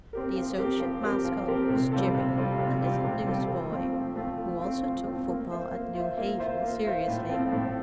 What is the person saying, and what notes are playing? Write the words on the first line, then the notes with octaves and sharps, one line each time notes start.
The associate mascot was Jimmy, a little newsboy, who also took football at New Haven seriously.
C4 G4 A#4
F3
C4 G4 A#4
F3
C4 G4 A#4
F3
C4 G4 A#4
C3
G3 C4 F4 A4
C3
G3 C4 F4 A4
C3
G3 C4 F4 A4
C3
G3 C4 F4 A4
F3
A3 C4 F4
F3
A3 C4 F4
F3
A3 C4 F4
F3
A3 C4 F4
A#3
F4 C5 E5
A#3
F4 C5 E5
A#3
F4 C5 E5
A#3
F4 C5 E5
A2
F3 C4 F4 A4
A2